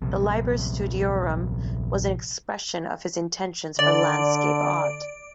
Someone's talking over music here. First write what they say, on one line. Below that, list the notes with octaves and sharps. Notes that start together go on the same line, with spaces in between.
The "Liber Studiorum" was an expression of his intentions for landscape art.
A#1 C3
D3 D5